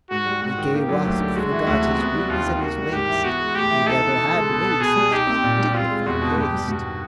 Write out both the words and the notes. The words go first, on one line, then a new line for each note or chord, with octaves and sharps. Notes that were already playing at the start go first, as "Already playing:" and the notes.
The gay wasp forgot his rings and his waist, He never had made such undignified haste.
G#2 F#4
G3
G#2 F#4
D#3
A#3 G4
F#3
D2
D3
G#3 F#4
E3
D2
C3
B3
G3
D#2 F4
D#3
A#3 F#4
G3
G#2 G4
E3
B3 F#4
G#3
A2 G4
E3
D#4 A4
B3
B2
G#3
B2
B3
B2 G#4
G3
D#4 G4
C4
A#2
G3
C4 F4
G#3
E2 F#4
B2
G2 G4
G3
G2 F#4
D#3